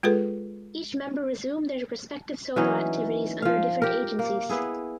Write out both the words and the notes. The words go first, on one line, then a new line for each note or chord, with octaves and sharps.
Each member resumed their respective solo activities under different agencies.
G#3 F4 G#4 A4 B4
E3 F#3 C#4 D#4
F3 F5
G4 A#4
A#3
B3 E4 G#4